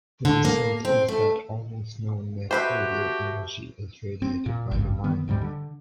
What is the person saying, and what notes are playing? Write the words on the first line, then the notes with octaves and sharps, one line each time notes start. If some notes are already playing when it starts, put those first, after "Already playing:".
The result is that almost no net radio energy is radiated by the line.
D3
A#3
C4
A3
F#4 G4 A4 B4 C5 E5
C4
A#2
G#1 C#2 G2
D3 D#3 B3
D2 G#2 F#3 G3
D3